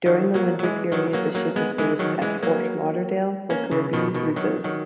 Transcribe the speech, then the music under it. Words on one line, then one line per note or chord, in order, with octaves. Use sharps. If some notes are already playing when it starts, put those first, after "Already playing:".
During the winter period the ship is based at "Fort Lauderdale" for Caribbean cruises.
D#3 F#3
F#3 A#3
F#3
E3 G#3
D#3 F#3
F#3 A#3
F#3 A#3
G#3 B3
E3 G#3
D#3 F#3
E3 G#3
F#3 A#3
A#3 C#4
C#3 E3
B2 D#3
B2 D#3
D#3 F#3
D#3 F#3